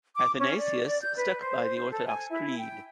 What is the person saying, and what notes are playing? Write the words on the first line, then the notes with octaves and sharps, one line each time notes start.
Athanasius stuck by the orthodox creed.
D6
C#4
D5
D5
G6
B4
C5
A4
G#5
E4
G5